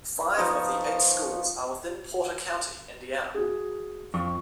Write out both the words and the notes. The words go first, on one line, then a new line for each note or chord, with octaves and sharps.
Five of the eight schools are within Porter County, Indiana.
F3 B3 D#4 C#5
F#4 G#4
F2 C#6